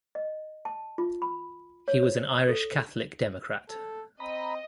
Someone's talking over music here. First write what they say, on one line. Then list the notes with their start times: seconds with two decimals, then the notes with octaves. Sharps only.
He was an Irish Catholic Democrat.
0.15 D#5
0.65 A5
0.98 F4
1.22 B5
1.88 C#5
2.03 C5
2.49 A4
3.69 A4
4.20 C4 D#5 A#5 B5